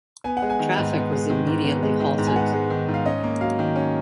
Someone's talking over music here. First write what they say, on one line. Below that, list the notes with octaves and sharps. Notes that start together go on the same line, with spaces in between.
Traffic was immediately halted.
B3 G#5
F#5
G#3
G#5
D#3
G#2
B3
G#3
D#3
G#2
B3
G#3
D#3
G#2
G#5
B3 F#5
G#3
D#3
G#2
F5
C#4 D#5
A#3
F#3 F5
D#3
C#4